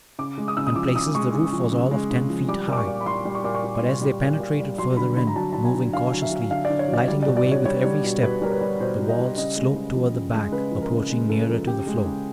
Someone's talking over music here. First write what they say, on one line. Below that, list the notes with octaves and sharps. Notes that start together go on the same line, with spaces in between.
In places the roof was all of ten feet high. But as they penetrated further in, moving cautiously, lighting the way with every step, the walls sloped toward the back, approaching nearer to the floor.
C#3 D6
G#3
D#6
C#3 E6
D#6
F3 D6
C#3 D#6
G#3 C#6
C#3
F3
C#3
G#3
C#3
F3
G3 D6
A#2
D6
C#6
A#2
B5
G3 C6
G3
C#6
A#2 D6
C#6
A#2
G3
G3
A#2
A#2
G3
F#3 C6
D3 B5
D3 B5
A#5
F#3 A5
F#3 A5
G#5
D3
D3 F5
F#3
E5
F#3
D3 F5
D5
D3
C#5
F#3
D5
G3 D5
D5
B2
D5
B2
C#5
G3 C#5
G3
B2
B2 B4
G3 A#4
B4
G3
B2 C5
B2
D#5
G3
C#3 D#5
G#3
C#3
F3
C#3
G#3
C#3 B4
F3
A#4
C#3
G#3
C#3 A4
F3
C#3 G4
G#3
G#4
C#3